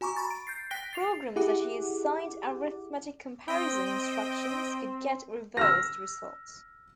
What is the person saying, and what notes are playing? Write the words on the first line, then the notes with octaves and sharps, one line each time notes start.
Programs that use signed arithmetic comparison instructions could get reversed results.
F#4 G#5 A#5 C#6 D6
A#5 B5 C#6 A6
D7
G6 A6 C7
G5 F#6 A#6 B6 D7 G7
A6 C7 F7
E4 G4 G#4 F#5 D6
C4 D#5 G5
E6 F6 A#6